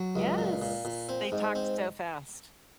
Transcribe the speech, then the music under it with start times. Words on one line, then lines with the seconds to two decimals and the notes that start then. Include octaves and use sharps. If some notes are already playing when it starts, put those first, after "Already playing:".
Yes, they talked so fast.
Already playing: F#3
0.16 C#2
0.38 A#2
0.62 A#2
0.85 A#2
1.09 C4
1.32 G#2
1.55 C4